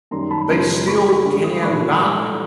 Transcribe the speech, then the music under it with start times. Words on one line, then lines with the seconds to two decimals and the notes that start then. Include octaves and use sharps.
they still can die.
0.11 F#2 D#3 G3 A#5 C6
0.31 A5 B5
0.49 F#2 C#3 F3 G#3 A#5 C6
0.87 A2 F3 G#3 B5 C#6
1.06 B5 C#6
1.25 G2 D3 G3
1.44 C#6 D#6
1.62 A#2 F3 G#3 B5 C#6
2.00 A2 E3 G3